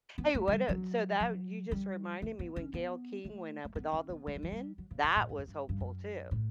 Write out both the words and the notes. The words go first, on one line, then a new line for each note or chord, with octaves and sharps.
Hey, what, uh so that you just reminded me when Gayle King went up with all the women, that was hopeful too.
B3
A3
A3
G3
F#3
F#3
G3
A3
B3
C#4
B3
A3
A3
B3
C#4
B3
A3
G3
F#3
G3
F#3
C#3
B2
A2
G2
F#2
G2
G2
F#2
A2